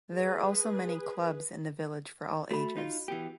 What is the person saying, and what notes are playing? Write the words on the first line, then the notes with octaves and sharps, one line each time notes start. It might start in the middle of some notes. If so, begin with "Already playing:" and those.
There are also many clubs in the village for all ages.
G#4 B4
A3 F#4 B5
D#4 F4
E3 B3 G4